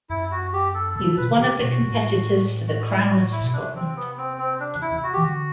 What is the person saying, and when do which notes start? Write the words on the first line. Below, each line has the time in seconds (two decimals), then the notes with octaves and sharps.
He was one of the Competitors for the Crown of Scotland.
0.10 F#2 E4
0.32 F#4
0.53 G4
0.74 A4
0.96 C3 A4
1.17 B2 B4
1.28 D3
1.39 C3 G4
1.60 B2 F#4
1.81 A2
2.67 F#4
2.89 E4
3.10 F#4
3.31 E4
3.41 B2
3.53 C3 D4
3.75 C4
3.96 B3
4.18 C4
4.38 C4
4.60 D4
4.82 E4
5.03 F#4
5.13 E3 G4
5.23 D3 F#4